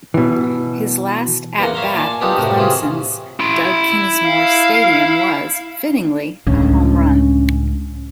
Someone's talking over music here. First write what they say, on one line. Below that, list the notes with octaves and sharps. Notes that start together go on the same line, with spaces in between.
His last at-bat in Clemson's Doug Kingsmore Stadium was, fittingly, a home run.
B2 E3
E2 A#3 A#4 F#5 C6
C#5 E5 F5 A#5 C6
A#2 D5 G#5 A5
B3 D4 D#4 F4 G4 A4
F#2 A2 C3 F#4 A#4
C3 E3 C#4 F4 G#4
E4 C6
F5
C#2 A2 D3 C#4